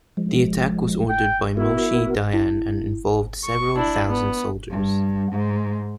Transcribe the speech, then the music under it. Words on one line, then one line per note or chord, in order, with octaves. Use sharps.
The attack was ordered by Moshe Dayan and involved several thousand soldiers.
F3 G#3
G5
B3 E4 F#4 A#4
E4
C#6
D4 E4
B3
G2
G#2